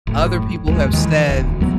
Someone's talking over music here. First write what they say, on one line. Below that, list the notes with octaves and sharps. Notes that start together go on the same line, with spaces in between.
Other people have said, "Th
F#1 A2
D#2 G3 G#3
D#3 E3
D#1 D2
C#2 F#3 B3